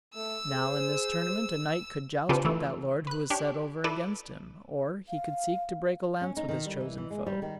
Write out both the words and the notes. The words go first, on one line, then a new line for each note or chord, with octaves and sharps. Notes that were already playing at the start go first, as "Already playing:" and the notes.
Now in this tournament a knight could joust with that lord who was set over against him, or he could seek to break a lance with his chosen foe.
A3 E6
G#4 C5
C#3 C4 D4 F4 G4 B4
E3 A3
B4 F#6
D4 G4 C#5
E4 A4 B4 D5
F5
C#4
D#4
D#3
G3
E3
E3
G#3
G3
D#3